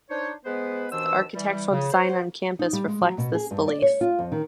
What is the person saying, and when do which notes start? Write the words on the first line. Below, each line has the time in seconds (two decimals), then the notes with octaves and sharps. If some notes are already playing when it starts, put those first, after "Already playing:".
The architectural design on campus reflects this belief.
0.10 D4 D#4 C5 C#5
0.45 G#3 B3 B4 C5
0.92 D#2 B2 E3 D4 C5 E6
1.35 E3 G3
1.70 C#3
1.92 F#4 C5
2.59 D#4
2.73 G3
2.88 G#3
3.01 F#3
3.18 B2
3.35 G#4
3.51 G2
3.68 D5
3.82 C#5
4.01 F4
4.19 F2
4.32 D#3